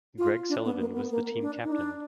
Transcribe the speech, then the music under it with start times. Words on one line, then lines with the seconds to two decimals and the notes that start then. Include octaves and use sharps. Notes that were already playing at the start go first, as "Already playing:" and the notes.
Greg Sullivan was the team captain.
0.18 F4
0.49 D4
0.65 B3
0.80 A#3
0.95 B3
1.10 A#3
1.41 D4
1.63 D#4
1.72 D4